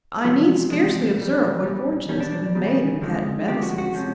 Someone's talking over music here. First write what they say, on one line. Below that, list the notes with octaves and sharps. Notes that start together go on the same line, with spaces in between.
"I need scarcely observe what fortunes have been made in patent medicines."
E2 C3 F3 G#3
E2 C3 F3 G#3
A#2 G3
A#2 G3
E2 B2 G3 C#4
D4
D4
E2 B2 G3
F2 D3 F3 G#3
F2 D3 F3 G#3 G4
F#4
F#4
C3 F3 G#3 C#4